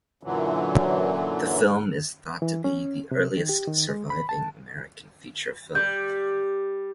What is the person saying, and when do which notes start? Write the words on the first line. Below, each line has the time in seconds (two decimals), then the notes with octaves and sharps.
The film is thought to be the earliest surviving American feature film.
0.23 F#2 A#2 D3 E3 F#3
2.42 E3
2.64 C#4
3.11 C3
3.37 D#3
3.49 G4
3.67 D#3
3.89 G#3
4.10 B5
4.29 A5
5.75 G3 G6